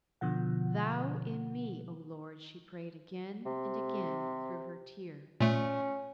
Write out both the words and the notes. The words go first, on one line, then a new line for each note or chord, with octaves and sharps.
"Thou in me, O Lord," she prayed again and again through her tears.
B2 D3 F3 F#5
C3
A#2 A3 C#4